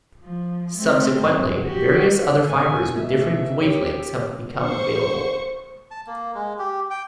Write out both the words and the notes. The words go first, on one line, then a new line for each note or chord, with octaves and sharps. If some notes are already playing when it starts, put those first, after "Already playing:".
Subsequently, various other fibers with different wavelengths have become available.
F3
A3 C4
F#2
F#4 G4
B2 C4 G#5
B2 A3 E5 G#5
C#4 G4 C#5
C5 C#6
A5
A#3
G#3
G4
G5